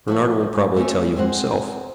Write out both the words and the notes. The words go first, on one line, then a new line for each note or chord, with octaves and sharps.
Bernard will probably tell you himself.
F3 A3 F#4
G#2
A3 A#3 C4 C#4 F4 G#4
G3
G#3 C4 C5 F#5